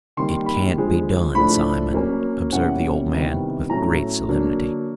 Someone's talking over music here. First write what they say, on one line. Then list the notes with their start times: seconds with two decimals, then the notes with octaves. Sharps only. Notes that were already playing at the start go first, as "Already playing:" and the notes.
"It can't be done, Simon," observed the old man, with great solemnity.
0.17 D#3 G3 A#3 D#4 C6
0.46 B5
0.76 D3 F3 G#3
1.35 A2 F3 A3 D4 B5
1.93 F#3 A#3 C#4
2.52 B2 G3 A#3 C#4 E4 F#5
3.11 C3 D#3 G3 B3 E4
3.70 A2 F#3 A3 C#4 A#5
4.29 D3 F#3 A#3 D4